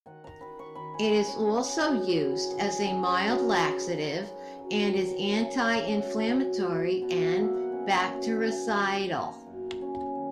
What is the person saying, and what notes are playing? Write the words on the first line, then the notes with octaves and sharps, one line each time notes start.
It is also used as a mild laxative and is anti-inflammatory and bactericidal.
D#3 F#5
A#5
D#3 B5
C#6
D#3 B5
G#5
C#4 F#5
C#5
D#3 B4
G#4
C#4 F#4
F#4
D#3 E4
G#4
D#3 G#4
G#4
C#4 D#5
C#5
F#3
A#4
D#3 B4
D#3
C#4
F#3
D#3
C#4
C#4 C#5
E5
B2 F#5
G#5
B2
B2
B2 F#5
F#5
A#3 E5
F#5
C#4
B2
D#3 G#5
D#3
A#3 A#5
F#2
C#4
D#3